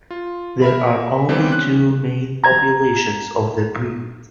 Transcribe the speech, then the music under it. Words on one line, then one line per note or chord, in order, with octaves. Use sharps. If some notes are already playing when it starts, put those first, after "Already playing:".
There are only two main populations of the breed.
F4
A#4 E5 B5
E3 G3 B3 C4 G4
C#4 F#6
A#5 G#6